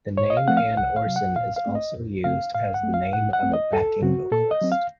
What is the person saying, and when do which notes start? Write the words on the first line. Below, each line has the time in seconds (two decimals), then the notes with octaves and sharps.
The name Ann Orson is also used as the name of a backing vocalist.
0.18 A2 C#5
0.30 D#5
0.37 F5
0.48 F3 A3 C4 F#5
0.57 F5
0.77 C2 F#5
0.96 F5
1.06 C3 F#3
1.16 F#5
1.36 A#2 F5
1.56 F5
1.66 A3 C4
1.75 D#5
1.96 F2
2.24 C#3 A3 C4 F5
2.55 A2 F5
2.74 F#5
2.83 A3 C4
2.94 F5
3.13 A2 F#5
3.33 F#5
3.43 A3 C4
3.53 D#5
3.72 D#2 A4
4.01 C#3 F#3 C4 F#4
4.31 A#2 A4
4.51 D#5
4.62 F#3 C4
4.72 F5